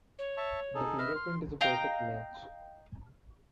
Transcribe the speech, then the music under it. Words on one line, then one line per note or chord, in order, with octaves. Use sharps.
The fingerprint is a perfect match.
C#5
E5 A5 C#6
D#4 G#4 A4
B4 D#5 E5 F6
C6
D#5 F5 G5 A#5